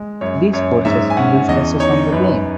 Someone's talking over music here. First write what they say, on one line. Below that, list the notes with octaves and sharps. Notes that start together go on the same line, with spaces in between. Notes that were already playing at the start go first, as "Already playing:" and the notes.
These forces induce stresses on the beam.
Already playing: G#3
F#2 C#5
F#2 C#5
G#2 E5
G#5
C#4 F#5
E2 D#5
D#4 C#5
F#2 B4